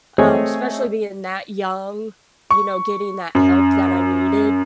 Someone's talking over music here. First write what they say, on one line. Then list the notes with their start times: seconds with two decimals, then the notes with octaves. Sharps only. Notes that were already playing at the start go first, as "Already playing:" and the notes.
um, especially being that young, you know, getting that help that I needed.
0.18 A3 C4 G#4 C#5 D#5
2.51 C#6
3.35 F#2